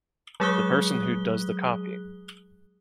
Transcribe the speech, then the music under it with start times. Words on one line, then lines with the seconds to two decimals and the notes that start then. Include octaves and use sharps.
The person who does the copying.
0.40 F#3 G#3 G#4 D#6 F#6 G7